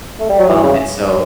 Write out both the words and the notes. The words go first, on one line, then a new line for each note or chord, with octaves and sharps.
um, and so
A3
G3
F#3
E3
C#3